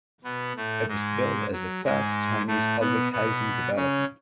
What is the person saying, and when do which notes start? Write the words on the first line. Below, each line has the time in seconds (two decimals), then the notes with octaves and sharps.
It was billed as the first Chinese public housing development.
0.24 B2 B3
0.56 A2 A3
0.88 G#2 G#3
1.52 F#3
1.84 G#2 G#3
2.48 A2 A3
2.80 B2 B3
3.12 B2 B3
3.76 C#3 C#4